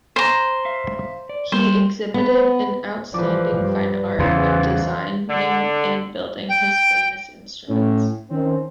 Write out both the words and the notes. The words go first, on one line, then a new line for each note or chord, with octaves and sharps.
He exhibited an outstanding fine art when designing and building his famous instruments.
C5 A#5
E5 F5
D5
G3 C5
B3
E3 F3 B4 D5
G2
E2 C#3 E3 C5 F5 C6
D3
G5
A2 C#4
D#3 C4 C#4